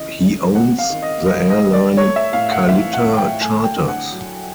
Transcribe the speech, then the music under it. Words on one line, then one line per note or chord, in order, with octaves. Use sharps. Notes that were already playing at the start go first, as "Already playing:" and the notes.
He owns the airline Kalitta Charters.
Already playing: C#3 E3 D#5
C#3
C4 F#5
F5
D#3
D#5
G3 D#5
D#5
D#3
D5
A3 C#5
E5
A2 F5
F#5
E3 E5
F#5
A2
G5
A3 G#5
G5
D3
F#5
F#3